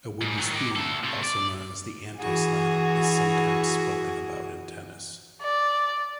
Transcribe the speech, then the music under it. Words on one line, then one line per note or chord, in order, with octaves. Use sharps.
A wooden spoon, also known as the "anti-slam", is sometimes spoken about in tennis.
G#2 G3
D#3 F#3
D#4 G4
D2 A4
C3 A3
D5
E3 F#4 G#4
D5